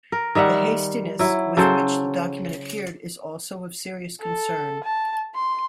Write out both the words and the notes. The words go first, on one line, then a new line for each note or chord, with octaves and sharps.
The hastiness with which the document appeared is also of serious concern.
A#4
D#3 G3 E5 F#5
F#3 E4
C#3 F#3 A4 C5
A4
A5
C6